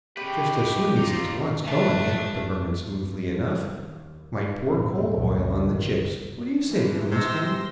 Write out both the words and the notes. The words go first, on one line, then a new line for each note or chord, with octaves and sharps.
"Just as soon as it's once going, it ought to burn smoothly enough--might pour coal oil on the chips. What do you say, Coonskin?"
C#3 G4 B4 G5
D#4 F4
A3 D4
D#2
A#1 E2 G#2 F#3 C4
C#2 A#2 C#3 E3
G1 C#2 D#3
E3 F3
G#2 C3 C6 E6 A#6